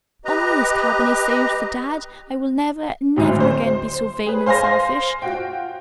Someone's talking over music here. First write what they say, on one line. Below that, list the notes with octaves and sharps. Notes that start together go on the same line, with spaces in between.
If only this cabin is saved for Dad, I will never, never again be so vain and selfish.
G4 B4 D#5 A#5
G#1 D2 A2 F#3
C5
G#4 B4
C5 F5 G#5 C6 A#6
F4 F#4 G5